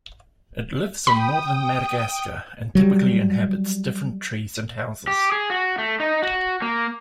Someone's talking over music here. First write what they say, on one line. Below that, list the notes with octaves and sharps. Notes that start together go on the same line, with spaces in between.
It lives in northern Madagascar and typically inhabits different trees and houses.
G5 B5 D#6
F#3 G3
G4
G#4
F#4
A3
D#4
F#4
A#3